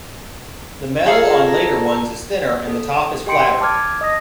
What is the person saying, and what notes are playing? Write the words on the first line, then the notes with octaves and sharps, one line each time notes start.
The metal on later ones is thinner and the top is flatter.
F4 G#4 A4 F5 A#5
A4
G4 D#5 G5 C6 C#7 D7
A5 D6 F6 G#6
D#5 D#6 A#6